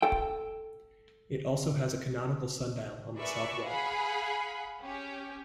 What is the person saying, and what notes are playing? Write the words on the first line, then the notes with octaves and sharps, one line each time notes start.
It also has a canonical sundial on the south wall.
A4 G5
G#4 A#4 B4 D5 E5 C#6
G#4 F5 F#5 B5
C#4 G4